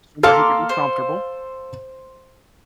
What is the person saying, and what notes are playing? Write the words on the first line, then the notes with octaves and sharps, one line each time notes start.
Somewhere he could be comfortable.
A#3 A4 F5 C6 D6
C5